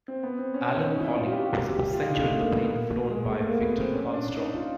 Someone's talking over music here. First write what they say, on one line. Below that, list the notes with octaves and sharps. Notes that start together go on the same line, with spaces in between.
Alan Hawley was a passenger in the plane flown by Victor Carlstrom.
C4
B3
C4
C#4
C#4
D#4
E4
F4
F#4
G4
G4
G4
G4
F4
D#4
D4
A3
A#3
B3
A#3
G#3
G#3
A3
A#3
B3
C4
C#4
D4
D#4
F4